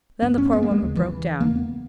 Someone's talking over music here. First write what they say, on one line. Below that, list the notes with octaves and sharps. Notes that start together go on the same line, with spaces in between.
Then the poor woman broke down.
G2 B3
C#4
B3
A#3
G#3
D#2 C#3
E3
E2 C#3 A#3
B3